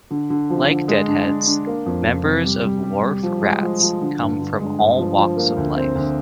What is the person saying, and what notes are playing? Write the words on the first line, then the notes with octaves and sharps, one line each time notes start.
Like Deadheads, members of Wharf Rats come from all walks of life.
D3
D3
F3
D3
G#3
D4
D4
D4
A#3
F2
F2
C3
G3
G3
G3
G3
F3
G#3
F3
F3
D3
G2
D3
G#3
G2
F3
F3
A#3
D2
C4
D2